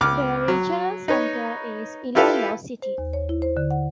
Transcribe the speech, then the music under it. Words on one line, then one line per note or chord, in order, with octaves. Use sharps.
The regional center is Iloilo City.
C#2 D6 F6
F#3
D#4 B4 C#5
E4 F4 G4 A4 B4 F5
C5
D#2
C#5
E4
C5
D3
F#5